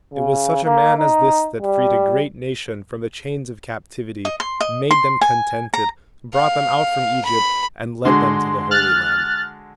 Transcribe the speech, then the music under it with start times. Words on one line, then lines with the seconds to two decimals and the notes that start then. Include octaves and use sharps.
It was such a Man as this that freed a great nation from the chains of captivity, made them contented, brought them out from Egypt, and led them to the Holy Land.
0.14 C#3
0.65 A#3
0.98 D#4
1.62 G3
4.25 D#5
4.40 C6
4.60 D#5
4.91 C6
5.21 G#5
5.74 A#5
6.34 F5
7.25 B5
8.05 D3 G#3 F#4 C6
8.71 F6 F#6 A6